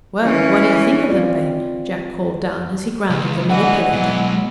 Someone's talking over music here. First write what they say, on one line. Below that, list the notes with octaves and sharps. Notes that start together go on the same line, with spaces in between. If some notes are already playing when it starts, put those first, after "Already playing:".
"Well, what do you think of them, Ben?" Jack called down, as he grounded the manipulator.
E3 C#4
C4 F4 D5
C#2 E3 G#3
D3 E3 G3 F#4 D#5 F#5
B2 F#3 G#3